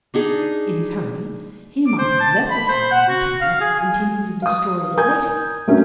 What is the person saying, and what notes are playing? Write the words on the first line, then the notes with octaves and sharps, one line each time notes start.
"In his hurry he might have left the towel in the paper, intending to destroy it later."
D4 D#4 G#4
D6
C5
A5
B5
C5
F#5
F#4
F5
G#4
G#5
F5 D#6
A#4 G#5 D#6 G6 G#6
A3 A#3 C#4 F#4